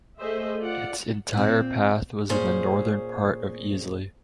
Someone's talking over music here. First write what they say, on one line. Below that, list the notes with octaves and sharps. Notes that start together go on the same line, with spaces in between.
Its entire path was in the northern part of Easley.
A3 G#4 C5 D#5 E5
F4 D5 F#5
A#2 C4
A#2 C#4 G#4 C5